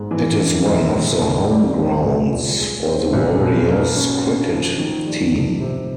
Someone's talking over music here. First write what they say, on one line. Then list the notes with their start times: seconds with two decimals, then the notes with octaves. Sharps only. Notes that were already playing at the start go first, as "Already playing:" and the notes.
It is one of the home grounds for the Warriors cricket team.
Already playing: G#2 G#3
0.11 E3
0.37 D3
0.65 E1
0.93 E1
1.20 D#2
1.48 G3
1.75 C4
2.03 B1
2.31 A#2
2.58 G#3
2.86 C4
3.13 B1
3.40 B2
3.69 A#3
3.96 C#4
4.24 D3
4.51 F3
4.78 D#3
5.06 G3
5.34 F2
5.60 C3